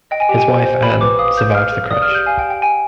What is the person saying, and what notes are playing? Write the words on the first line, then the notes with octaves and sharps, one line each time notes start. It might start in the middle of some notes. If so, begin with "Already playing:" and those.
His wife Ann survived the crash.
D#5 G5
G#5
G4 G5
G#5
C5
C5
G5 B5
B4 D6
F5 D#6
B4 G6
F5 F6
G#4
D5 D#6
F6
G4
G6
F5 G#5
G5
G4
G5
G5 G#5